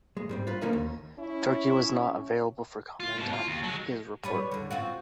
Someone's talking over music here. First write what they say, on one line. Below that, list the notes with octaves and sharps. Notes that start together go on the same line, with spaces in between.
"Turki was not available for comment on his report".
G#3
G#2 G3 C4
F4 B4
D3 F3 A#3 C#4 D#4
D#2
C#4 E4
F4
G#2 B2
F4
D#2
F#3 G#3
G3 B4 C#5
E2 D3
C4 F4 F#4